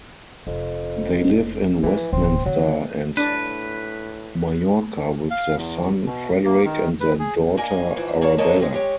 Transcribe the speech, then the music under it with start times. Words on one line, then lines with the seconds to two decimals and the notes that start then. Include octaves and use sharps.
They live in Westminster and Mallorca with their son, Frederick and their daughter, Arabella.
0.47 F1 F2
1.83 E3 F3
2.13 D1 D3 C4
2.46 D3 F#3 B3
3.17 A2 D4 B4
5.31 F5
5.56 E2
6.06 B2
6.45 A#3
6.64 D#3
7.01 B4
7.19 G#4
7.57 A#3 D4 D#5 G#5
7.96 G#2 E3 F3
8.21 A#3 D4 A4 C#5
8.38 D#2 C3 A#3 C#5 D#5 A5
8.58 C#3 G3 G#3
8.72 G#3 G4 C#5